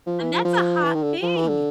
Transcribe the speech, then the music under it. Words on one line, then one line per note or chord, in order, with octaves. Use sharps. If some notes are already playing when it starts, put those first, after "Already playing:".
and that's a hot thing!
F3
E3
F3
F3
E3
D#3
D3
F3
E3
D3